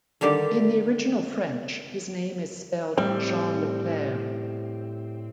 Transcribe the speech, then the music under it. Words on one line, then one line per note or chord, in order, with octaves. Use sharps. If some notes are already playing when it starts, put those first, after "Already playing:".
In the original French, his name is spelled Jean Leclerc.
D3 D#3 G3 G4 D5
A2 G3 C4